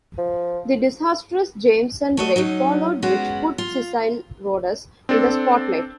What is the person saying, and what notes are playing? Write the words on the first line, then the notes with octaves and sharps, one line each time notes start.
The disastrous Jameson Raid followed which put Cecil Rhodes in the spotlight.
F3
A3 F#4 D#5
F#3 C#4 D#4
G#3 B3 C#4 F#4
F4
C4 D4 A4